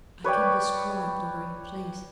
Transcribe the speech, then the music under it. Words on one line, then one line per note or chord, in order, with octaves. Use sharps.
I can describe the very place.
B4 C#5 D5 G5